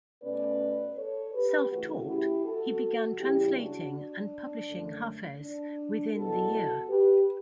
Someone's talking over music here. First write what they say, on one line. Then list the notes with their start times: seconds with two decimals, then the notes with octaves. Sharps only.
Self-taught, he began translating and publishing Hafez within the year.
0.22 B2 A3 C#4 B4 D5
0.96 A4 C#5
1.33 G4 B4
1.70 C#3 E3 A3 C#4 F#4 A4
2.08 E4 G4
2.44 F#4 A4
3.18 E2 C#3 G3 E4 G4
3.55 D4 F#4
3.92 D4
4.67 F#2 D3 A3
5.40 D4
6.14 E2 B2 F#3 F#4 A4
6.89 G4 B4